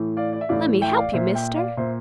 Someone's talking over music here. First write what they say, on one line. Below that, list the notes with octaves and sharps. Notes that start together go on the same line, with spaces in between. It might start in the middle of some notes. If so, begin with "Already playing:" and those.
Lemme hep you, Mister.
Already playing: A2 E3
D5 F5
D5
E5
A2 E3 D5 F5
E5 G5
D5 F5
A#2 C5 E5
E5 G5
D5 F5
A#2 C5 E5